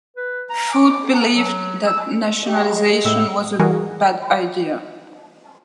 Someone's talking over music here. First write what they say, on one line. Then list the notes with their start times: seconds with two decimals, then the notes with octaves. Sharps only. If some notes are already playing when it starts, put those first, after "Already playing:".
Foot believed that nationalization was a bad idea.
0.17 B4
0.50 A#5
0.73 D6
1.13 B3
1.35 F#3
1.87 E6
2.43 G4 D#5
2.56 G#3
2.75 G#3
3.05 A2 E6
3.60 E3 G3 F#4 G#4 A#4